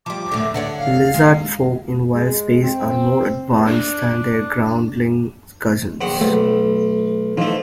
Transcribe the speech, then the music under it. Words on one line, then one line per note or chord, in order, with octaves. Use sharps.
Lizardfolk in wildspace are more advanced than their groundling cousins.
F3 G3 D6
A2 D3
D3 C#5 D5 F#5
F5
G#3
G#3
C4
E2
D4
A#1 D#3 F#5
B1 A3
E3 F3 A3 D#4